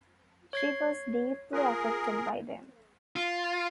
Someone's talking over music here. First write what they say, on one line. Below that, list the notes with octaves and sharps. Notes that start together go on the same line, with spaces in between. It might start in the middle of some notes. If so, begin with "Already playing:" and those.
She was deeply affected by them.
C#5 G#6 C7
F4 G#4 A#4
F4